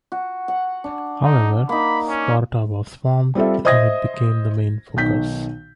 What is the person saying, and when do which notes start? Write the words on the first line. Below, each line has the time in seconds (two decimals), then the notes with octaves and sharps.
However, Sparta was formed and it became the main focus.
0.12 F#4
0.48 F#5
0.84 D4
1.23 D#4
1.69 A#3 D#4 B5
2.08 C#4
3.35 G3 C4 F4 A4 E5
3.65 C5 D#5 E5 D#6 G#6 A#6
4.96 B1 D#3 G6 B6